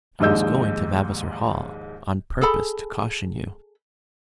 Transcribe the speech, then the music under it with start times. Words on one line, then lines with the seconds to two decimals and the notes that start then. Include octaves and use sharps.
"I was going to Vavasor Hall, on purpose to caution you."
0.20 A#1 D#2 G#2 D#5 E6 G6
2.41 G#4 A4 B5